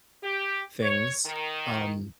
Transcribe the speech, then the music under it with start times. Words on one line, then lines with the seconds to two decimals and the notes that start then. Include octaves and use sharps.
things. Um,
0.23 G4
0.83 C#5
1.26 D#3